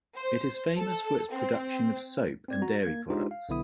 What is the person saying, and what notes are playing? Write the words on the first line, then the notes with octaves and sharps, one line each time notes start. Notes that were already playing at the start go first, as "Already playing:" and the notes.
It is famous for its production of soap and dairy products.
C5
A4
C4
C4 D5 G#6
F#4 A#5
A#3 G#6
G#3 D4 D#4 F4 G4 C5
F5
B1 D3 B3 E4 D#6